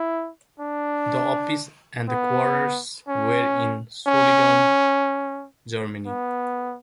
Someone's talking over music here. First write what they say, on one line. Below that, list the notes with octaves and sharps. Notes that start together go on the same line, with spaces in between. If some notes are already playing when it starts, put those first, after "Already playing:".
The office and the quarters where in Solingen, Germany.
Already playing: E4
D4
B3
C#4
C#4
B3